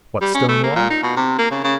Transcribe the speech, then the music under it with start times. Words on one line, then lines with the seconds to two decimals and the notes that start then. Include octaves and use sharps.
What stone wall?
0.22 G3
0.34 C#4
0.49 A3
0.64 A#3
0.76 A#2
0.90 D#4
1.03 B2
1.17 C3
1.39 A#3
1.51 C#3
1.64 C#3